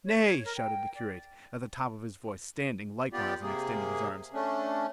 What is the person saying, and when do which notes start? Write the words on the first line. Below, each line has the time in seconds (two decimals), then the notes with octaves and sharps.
"Nay," shouted the curate, at the top of his voice, standing likewise and extending his arms.
0.04 C#5
0.45 A#4
0.56 G5
0.94 D5
3.13 B3 F4 G4 D5
3.42 C3 A#3 G#4
4.33 A3 C#4 D4